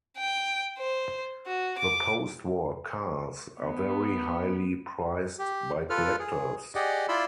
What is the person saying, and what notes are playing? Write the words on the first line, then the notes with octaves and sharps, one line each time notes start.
The post-war cars are very highly prized by collectors.
G5
C5
F#4
D6
B3
G4
F4 A4 B4 F6
G#4
G4 G#4 D5 D#5 F#5
E4 F4 D5 B5 C6 E6